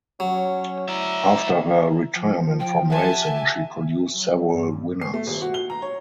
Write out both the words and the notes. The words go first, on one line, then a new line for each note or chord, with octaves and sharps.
After her retirement from racing she produced several winners.
F#3 C#4
E4 D5 E5 A#5
F3
G5
G4 A4 E5 F#5 G#5 A5
F#3
G2
C7
A3
D#1
F#4
G7
A#5
C#5